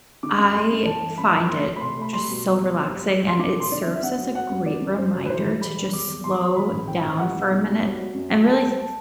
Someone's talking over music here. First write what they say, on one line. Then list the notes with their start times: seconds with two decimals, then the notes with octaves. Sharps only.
I find it just so relaxing, and it serves as a great reminder to just slow down for a minute and really th th
0.23 D3 D6
0.38 F#2
0.54 A3 C6
0.71 F#2
0.86 E3 A5
1.02 G1
1.18 F#2 B5
1.26 A5
1.33 E3 B5
1.50 A3 C6
1.66 A3
1.76 B5
1.81 C3 C6
1.97 A3 B5
2.13 G3 C6
2.29 B2
2.45 G3
2.60 B2
2.76 F#1
2.92 G3
3.08 G3
3.23 F#1 C6
3.39 D3 D6
3.56 E1 C6
3.72 D3 D5
3.82 E5
3.87 D3
3.96 E5
4.03 D3 F#5
4.19 F#3
4.35 F#3 F#5
4.50 F#2
4.66 F#1 D5
4.82 F#2
4.98 F#2 C5
5.14 F#3
5.26 B4
5.29 E3 C5
5.45 E3
5.61 G3 B5
5.77 G3
5.93 E2 D6
6.08 E2
6.24 E2 C6
6.31 D6
6.39 F#3 C6
6.56 E3 B5
6.72 A1
6.87 E3 G5
7.04 A1
7.19 G3 F#5
7.36 B1
7.51 B1
7.67 G3
7.82 F#3
7.99 F#3
8.14 F#2
8.31 F#3
8.45 F#1 A5
8.62 G3
8.78 A5